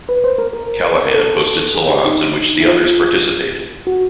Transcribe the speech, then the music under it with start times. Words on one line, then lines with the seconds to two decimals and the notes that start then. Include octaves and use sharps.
Callahan hosted salons in which the others participated.
0.09 B4
0.24 C5
0.38 A#4
0.53 A#4
1.05 A#4
1.14 A4
1.75 G#4
1.90 G4
2.05 D#4
2.60 E4
2.66 F4
3.87 F#4